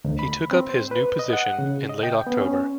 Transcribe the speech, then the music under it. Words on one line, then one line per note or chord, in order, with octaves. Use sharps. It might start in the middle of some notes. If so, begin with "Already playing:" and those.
He took up his new position in late October.
D2
B5
C4
C5
B4
D#5
F#5
C#3
D#5
G5
B3
C#4